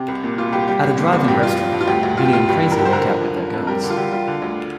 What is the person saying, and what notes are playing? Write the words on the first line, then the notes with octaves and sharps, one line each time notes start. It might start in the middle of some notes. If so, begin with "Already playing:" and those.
At a drive-in restaurant, Vinnie and Crazy make out with their girls.
Already playing: C3 G4
C2
A#2
A#2 F4
C2 G4
G3 G4
C2
A#2
C2
G2 G4
G2 F4
F3
G2
F4
D2 G4
D2
D2 F4
G4
D2 F4
G2 G4
G2
A#4
D3 G4
C5
D3 A#4
F3
F3
F3
F2
G3 A#4
D3
F4
D3 G4
G3 F4
D3
D2